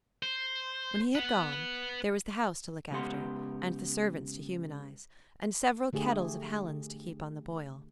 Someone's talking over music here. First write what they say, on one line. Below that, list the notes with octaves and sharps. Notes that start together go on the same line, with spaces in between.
When he had gone, there was the house to look after, and the servants to humanize, and several kettles of Helen's to keep on the boil.
C5
B4 F#5
C#3 G#3 B3 G4 F#5 C6
D3 A3 G4 G#4